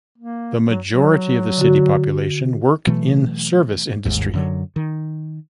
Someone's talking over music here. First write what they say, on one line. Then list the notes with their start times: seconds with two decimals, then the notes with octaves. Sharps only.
The majority of the city population work in service industry.
0.18 A#3
0.69 F#3
0.86 F#3
1.58 D3 F#4
2.87 B2 E3 F#3 A3
4.05 G1 D#2 G#2
4.34 F#2 D3 F#3
4.76 D#3